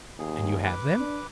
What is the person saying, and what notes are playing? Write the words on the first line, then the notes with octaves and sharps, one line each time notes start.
"And you have them?"
D#2 G#4
B4 D6
D4